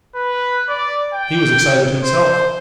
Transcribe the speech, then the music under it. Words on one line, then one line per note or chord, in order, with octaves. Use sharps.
He was excited himself.
B4
D5
G5
C5